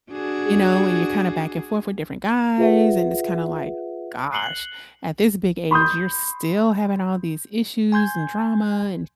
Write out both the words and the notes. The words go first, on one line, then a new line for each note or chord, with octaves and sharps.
you know, and you're kinda back and forth with different guys, and it's kinda like, "Gosh, at this big age, you're still having all these issues and drama and
D4 F#4 G#4
F4 G#4 B4 E5 F#5
F#6 C7 C#7 F#7 G7
B5 C6 D#6 G6
G#5 C6 G6 G#6